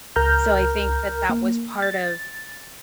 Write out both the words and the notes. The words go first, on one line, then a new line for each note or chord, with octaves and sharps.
so I think that that was part of
C#2 A#4 A#5 F6 G6
A#3
A6